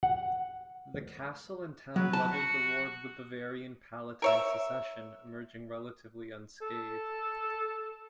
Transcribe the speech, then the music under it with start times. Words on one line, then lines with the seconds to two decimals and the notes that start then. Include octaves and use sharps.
The castle and town weathered the War of the Bavarian-Palatine Succession, emerging relatively unscathed.
0.03 F#5
1.96 F#3 B4
2.13 A5
2.31 F#4
4.22 A#4 C#5 E5
6.62 A4